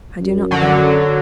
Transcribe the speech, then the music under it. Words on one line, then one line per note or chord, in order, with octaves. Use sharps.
I do not know.
F#2
D3 F#3